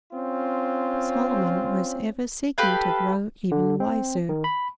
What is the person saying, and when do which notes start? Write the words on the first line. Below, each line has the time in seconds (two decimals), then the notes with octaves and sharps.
Solomon was ever seeking to grow even wiser.
0.12 C4 C#4 F4
2.58 G4 A4 B4 F5
3.51 D3
3.80 C4
4.29 D#3
4.44 B5